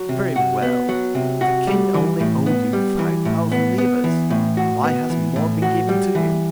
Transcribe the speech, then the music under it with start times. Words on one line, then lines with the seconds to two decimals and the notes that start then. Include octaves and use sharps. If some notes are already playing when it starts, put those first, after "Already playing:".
"Very well; the king only owed you five thousand livres; why has more been given to you?"
Already playing: F#3
0.09 C3
0.36 F#4
0.62 B3
0.89 F#3
1.15 C3
1.41 F#4
1.67 G3
1.94 E3
2.20 A2
2.46 B3
2.73 G3
2.99 E3
3.25 A2
3.52 B3
3.78 B3
4.04 E3
4.30 A2
4.57 F#4
4.83 B3
5.10 E3
5.36 A2
5.62 F#4
5.89 G3
6.15 E3